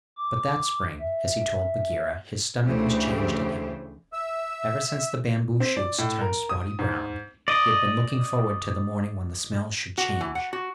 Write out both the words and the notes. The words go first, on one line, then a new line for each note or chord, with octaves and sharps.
But that spring, as he told Bagheera, his stomach was changed in him. Ever since the bamboo shoots turned spotty-brown he had been looking forward to the morning when the smells should change.
D6
E5
D2 C#3 E3 A3 G4 C5
E5 E6
C4
D5
A2
A#4
D#6
G#2
D5 D#5
F#4
E3
F#5
F#4